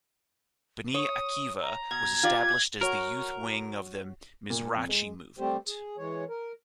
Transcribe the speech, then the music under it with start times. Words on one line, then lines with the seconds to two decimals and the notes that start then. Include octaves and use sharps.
Bnei Akiva was established as the youth wing of the Mizrachi movement.
0.94 C#5 D#6
1.62 A#5
1.91 B2 G#6
2.23 F4 G4 D5
2.81 F#4 A#4 C#5
4.50 A#2
4.76 F2
4.89 G#3
5.39 G3 A3 C4 G4 C5
5.67 G#4
5.98 E3 G#3 C#5
6.29 A#4